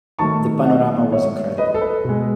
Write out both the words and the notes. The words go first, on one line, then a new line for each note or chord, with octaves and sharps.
The panorama was incredible.
D#3 F#3 A3 A5 C#6
D#5 F#5
C#5 E5
B4 D#5
A4
B4
B2 G#3